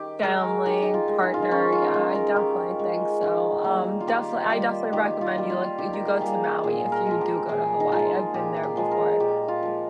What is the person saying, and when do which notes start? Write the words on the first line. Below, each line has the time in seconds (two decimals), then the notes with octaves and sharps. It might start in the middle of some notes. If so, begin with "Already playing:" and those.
Family, partner, yeah, I definitely think so. Um, defini I definitely recommend you like, you go to Maui if you do go to Hawaii. I've been there before.
Already playing: D#3 G4
0.23 G#3 A#4
0.66 D#3 G4
0.82 D#4
0.94 F4
1.08 G#3
1.23 D#4
1.34 F4
1.42 D#4
1.51 D#3 C#4
1.73 F4
1.94 G#3 D#4
2.15 A#4
2.36 D#3 G4
2.79 G#3
3.22 D#3
3.64 G3 A#3
4.00 F4
4.07 D#3 G4
4.50 G3 A#3 G4
4.93 D#3 G4
5.21 F4
5.35 G3 A#3
5.50 F4
5.78 D#3 G4
5.93 A#4
6.06 G#4
6.21 G3 A#3 G4
6.63 A#2 G#4
6.92 A#4
7.07 F3 G#3
7.21 G4
7.49 A#2 G#4
7.80 D#4
7.92 F3 G#3 F4
8.34 A#2 G4
8.56 G4
8.63 G#4
8.77 F3 G#3
8.91 A#4
9.20 A#2 G4
9.48 F4
9.63 F3 G#3